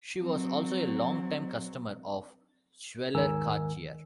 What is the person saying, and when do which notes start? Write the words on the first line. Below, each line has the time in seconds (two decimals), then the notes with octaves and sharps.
She was also a longtime customer of jeweller Cartier.
0.19 F#3 C4
3.15 D#2 G#2 D#3 A#4 G#5 E6